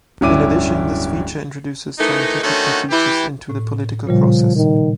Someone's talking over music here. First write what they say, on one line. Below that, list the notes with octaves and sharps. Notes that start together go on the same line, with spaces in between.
In addition, this feature introduces scientific procedures into the political process.
D1 G2 C#4 E4 D6 D#7
D#3 E3 A3 D#4
D3 D#3 A3 C#4 D#4 F#4
E3 E4 G4
A2
A#2 C#3 F3 G3
D#3